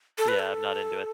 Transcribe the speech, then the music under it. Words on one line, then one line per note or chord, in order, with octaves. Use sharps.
yeah, I'm not into it.
A4
B4
A4